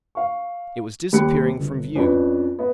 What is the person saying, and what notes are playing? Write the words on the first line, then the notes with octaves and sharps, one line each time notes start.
It was disappearing from view.
F5 C#6
D#2 G3 B5 F#6 C#7
G1
F2 C#4 D4 B4
B3 D#5